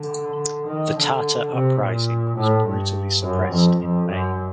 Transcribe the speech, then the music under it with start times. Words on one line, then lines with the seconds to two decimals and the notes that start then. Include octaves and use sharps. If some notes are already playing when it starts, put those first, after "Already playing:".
The Tartar uprising was brutally suppressed in May.
Already playing: D3
0.66 D#3
0.95 D3
1.51 C3
1.79 A#2
2.36 A2
2.65 G2
3.22 F#2
3.50 F2
3.79 F2
4.08 F#2